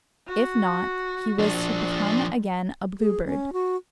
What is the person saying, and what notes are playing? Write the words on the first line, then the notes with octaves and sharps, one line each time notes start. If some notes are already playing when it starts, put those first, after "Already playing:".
If not, he was to become again a Blue Bird.
F#4
F3 D4
G#4
C#4
F#4